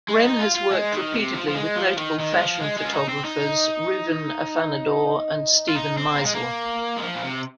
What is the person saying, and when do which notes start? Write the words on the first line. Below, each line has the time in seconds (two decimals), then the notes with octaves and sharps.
Renn has worked repeatedly with notable fashion photographers Ruven Afanador and Steven Meisel.
0.08 G#3
0.24 D#4
0.40 F4
0.56 F4
0.71 G#3
0.93 D#3
1.14 C3
1.34 F3
1.49 F3
1.55 G#3
1.76 F3
1.98 D#3
2.19 D#3
2.32 G#3
2.39 F3
2.60 G#3
2.77 G#3
2.85 F4
2.93 D#4
3.08 C4
3.24 D#4
5.69 F4
5.75 D#4
5.98 C4
6.17 A#3
6.26 G#3
6.35 A#3
6.97 G#3
7.02 F3
7.14 A#2
7.23 C3